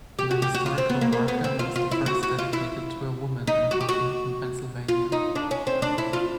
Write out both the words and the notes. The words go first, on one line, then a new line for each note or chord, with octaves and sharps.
The historical marker was the first dedicated to a woman in Washington, Pennsylvania.
G4
F#4
G4
F#4
F4
C4
B3
A#3
A#3
B3
C4
F4
F4
E4
F#4
F#4
F4
E4
D#4
F#4
G4
F#4
F4
D#4
D4
C#4
C4
D4
E4
F4